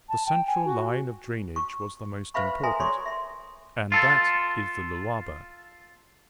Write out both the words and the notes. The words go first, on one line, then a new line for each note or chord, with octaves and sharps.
The central line of drainage was the most important, and that is the Lualaba.
A5
G5
G#5
F#4
C#6
B4 C5 E5 F5 B5 C#6
A4 A#4 E5 G#5 A#5 C6
A4 C#5 D5 C6 C#6
E5 C6
F4 A4